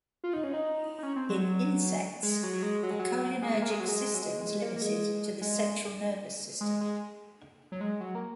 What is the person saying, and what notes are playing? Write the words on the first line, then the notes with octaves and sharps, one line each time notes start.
In insects, the cholinergic system is limited to the central nervous system.
F4
D#4
C#4
D#4
D#4
C#4
C4
F#3
G#3
F#3
F#3
G#3
F#3
G#3
F#3
G#3
A#3
G#3
F#3
G#3
F#3
G#3
G#3
A#3
A#3
G#3
G#3
G#3
G#3
F#3
G#3
F#3
A#3